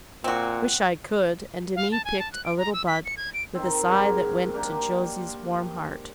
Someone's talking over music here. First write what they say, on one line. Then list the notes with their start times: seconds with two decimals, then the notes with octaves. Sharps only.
'Wish I could!' and Demi picked a little bud, with a sigh that went to Josie's warm heart.
0.24 A#2 C4 F#4
1.76 F5
1.92 A5
2.05 G#5
2.19 A5
2.32 F#6
2.45 D7
2.58 A#5
2.73 E6
2.87 B6
3.05 C#7
3.17 G#6
3.34 D7
3.55 D#3 C4
3.88 G#2 F#3 G4 A#4
4.54 A#3 D4 G4 A#4